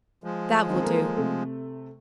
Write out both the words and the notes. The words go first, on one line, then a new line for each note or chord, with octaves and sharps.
That will do.
F3 G#3
D#3 C4
A#3 A4
C3 A3